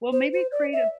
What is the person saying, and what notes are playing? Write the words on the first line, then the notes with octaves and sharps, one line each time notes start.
Well, maybe create a
C5
C5
D5
E5